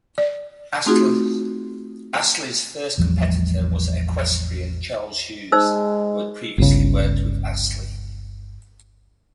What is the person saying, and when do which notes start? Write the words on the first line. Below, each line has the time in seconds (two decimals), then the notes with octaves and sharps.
Astley's first competitor was equestrian Charles Hughes, who had previously worked with Astley.
0.18 D5
0.86 A3 C4 D#4 F4 F#4 G#4
2.98 A1 E2 F3 G3
5.52 G#3 D#4 C5 E6
6.58 G1 C#2 C#3